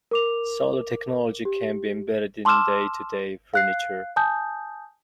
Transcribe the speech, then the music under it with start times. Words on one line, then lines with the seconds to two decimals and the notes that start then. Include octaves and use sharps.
Solar technology can be embedded in day to day furniture.
0.11 A#4 D6 F7
1.45 G4
2.45 A5 C6 D6 E6 F6 E7
3.54 F5 F#6 C7
4.16 G#5 A5 D#6 G6